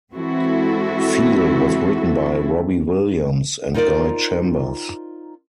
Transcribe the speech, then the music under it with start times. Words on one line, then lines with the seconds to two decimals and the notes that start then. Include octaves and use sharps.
"Feel" was written by Robbie Williams and Guy Chambers.
0.13 E3 G#3 C4 E4 F#4 A4
3.74 D#4 F4 A#4 C5 D5